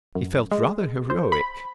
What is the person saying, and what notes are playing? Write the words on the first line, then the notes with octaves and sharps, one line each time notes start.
He felt rather heroic.
F#2
G#3
C5
B5